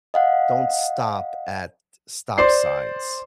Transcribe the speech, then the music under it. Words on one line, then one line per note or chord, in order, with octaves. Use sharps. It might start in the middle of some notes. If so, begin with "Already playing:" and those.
don't stop at stop signs,
D#5 F5 F#5
C5 D5 C6 C7